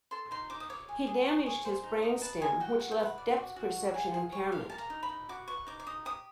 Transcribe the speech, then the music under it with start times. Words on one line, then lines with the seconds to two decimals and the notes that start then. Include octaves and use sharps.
He damaged his brain stem, which left depth perception impairment.
0.11 A4 C6
0.31 D#4 C6
0.50 D#4 D6
0.60 D#6
0.70 C#5 D6
0.89 G#4
1.07 G#4
1.26 C#5
1.46 G#4
1.65 C5
1.83 D#4
2.03 D#5
2.22 B4 A5
2.41 D#5 G#5
2.60 F#4 G5
2.80 F#4 F#5
2.91 G5
2.99 B4 F#5
3.18 D5
3.37 F#4
3.56 F#4
3.76 C#5
3.94 G#4
4.14 G#4
4.32 C#5
4.52 G4 F5
4.70 A#4 A5
4.78 A#5
4.90 D#4
5.03 B5
5.09 D#4
5.29 F#4 D6
5.48 B4 C#6
5.67 D#4 D6
5.80 D6
5.86 D#4 D#6
6.05 G4 D#6